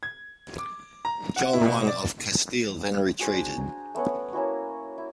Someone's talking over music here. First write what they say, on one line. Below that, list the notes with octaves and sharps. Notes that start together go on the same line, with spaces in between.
John I of Castile then retreated.
G#6
D6
A#5
F#5
E4
B2
D5
F#4 G#4 C5
D4
A#5
A3 B3 C#4 F#5
A#3 C#4 E4 F#4
E4